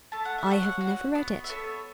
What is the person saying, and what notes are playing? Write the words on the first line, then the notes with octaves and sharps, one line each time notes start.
"I have never read it."
A3 A5
F#5
E5
A4
C#5 F#5
F#4
B3
E5
B3 A4 C#5